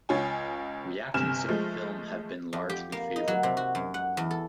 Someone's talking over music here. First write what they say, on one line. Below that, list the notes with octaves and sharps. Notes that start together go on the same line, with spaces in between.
Reactions to the film have been largely favorable.
C#2 F4 C#5 G#5
G1 C3 G#5 F6 E7
F3 G#3 A3
F2
G4
A#3
D#4
F#3
C3
F#4
F#2
F#5
E2
A4